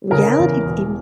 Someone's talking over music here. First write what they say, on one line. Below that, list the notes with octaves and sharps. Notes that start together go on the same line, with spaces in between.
Reality TV.
C#3 A#4
E2
E1